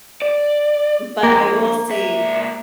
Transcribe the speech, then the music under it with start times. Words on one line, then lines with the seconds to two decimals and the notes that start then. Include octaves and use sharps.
m but I will say
0.22 D5
1.23 F2 G#2 A#3
1.90 C#2 E5